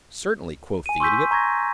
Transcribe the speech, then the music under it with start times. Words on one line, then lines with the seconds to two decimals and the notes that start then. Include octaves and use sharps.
"Certainly," quoth the Idiot.
0.86 G#5 D#7
1.00 C6 C#6 E6 G6 B6
1.31 A#5 C#6 G#6 A#6